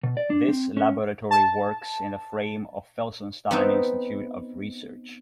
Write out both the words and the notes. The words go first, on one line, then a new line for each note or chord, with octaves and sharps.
This laboratory works in the frame of Felsenstein Institute of Research.
B2
D5
D4
C4
C#4
A5
B3 C4 D#4 B4 E5 G5